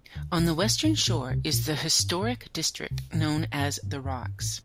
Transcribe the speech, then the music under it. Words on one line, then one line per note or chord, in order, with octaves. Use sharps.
On the western shore is the historic district known as The Rocks.
D2 D3
C2 C3
A#1 A#2
A1 A2
A#1 A#2
C2 C3
A#1 A#2
G2
A1 A2
C2 C3
A1 A2
A1 A2
G2
G2
F2
G2
A1 A2